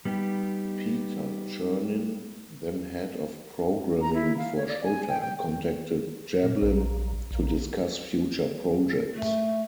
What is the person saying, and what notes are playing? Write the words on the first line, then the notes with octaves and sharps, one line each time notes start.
Peter Chernin, then head of programming for Showtime, contacted Jablin to discuss future projects.
G3 B3 D#4 G4
A#5
E4
F5
C#5
D5
G#5
G5
G5
A#2
A#1
A#1
A3